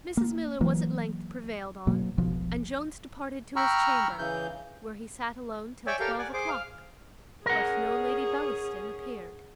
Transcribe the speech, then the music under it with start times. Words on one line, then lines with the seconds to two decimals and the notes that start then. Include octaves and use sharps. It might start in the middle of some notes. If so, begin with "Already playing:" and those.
Mrs Miller was at length prevailed on, and Jones departed to his chamber, where he sat alone till twelve o'clock, but no Lady Bellaston appeared.
0.17 A#3
0.61 E3 F#3 A#3
1.87 B2 F#3 A#3
2.18 E1 B1 B2 F3
3.56 G5 A#5 B5 C#6 E6 F6
4.19 C#3 E3 G6
5.87 C#5 D5 E5 G5 G#5
6.00 G4 A4 A#4 F5 G5
6.19 D5 F#5 G#5
6.33 G#4 C5 D6
6.49 F5
7.46 C#4 G#4 A#4 F#5